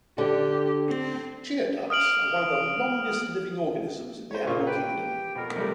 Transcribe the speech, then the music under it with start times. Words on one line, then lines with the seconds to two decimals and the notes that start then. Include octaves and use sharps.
Geoducks are one of the longest-living organisms in the animal kingdom.
0.18 D3 G4
0.88 C4
1.90 D#6 F6 D7 F#7
4.31 C5 C#5
4.47 A#2 F4 C#6
4.67 G4 B4 G5
5.35 F2 B2 A#4
5.56 C3 G3 A3